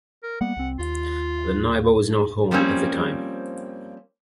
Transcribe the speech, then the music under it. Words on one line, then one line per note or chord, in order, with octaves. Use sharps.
The neighbor was not home at the time.
A#4
G3 A#3 B3 F#5
C2 C4
D#2 F4
F3 G3 A#3 C4 C#4